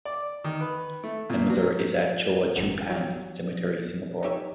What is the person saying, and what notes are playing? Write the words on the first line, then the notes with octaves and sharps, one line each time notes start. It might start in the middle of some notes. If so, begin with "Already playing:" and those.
Another is at Choa Chu Kang Cemetery, Singapore.
D5
D#3
B4
A3
A#2
F#3
G#1 F#2
F#3 G3
D#4 G4 C#5 E5